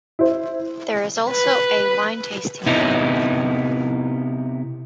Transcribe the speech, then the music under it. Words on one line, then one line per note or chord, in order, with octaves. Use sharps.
There is also a wine-tasting room.
E4 C5
B4
C3 B3 D#4 E4